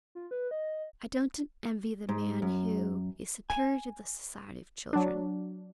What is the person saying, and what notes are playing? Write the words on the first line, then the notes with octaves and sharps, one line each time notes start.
I don't envy the man who is superior to the society of children.
F4
B4
D#5
G#2
F#2
G#5
F#3 D4